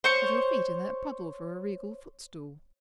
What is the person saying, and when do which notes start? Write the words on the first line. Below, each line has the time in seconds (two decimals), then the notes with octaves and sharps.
'With your feet in that puddle for a regal footstool!
0.04 C5 C#5 C#6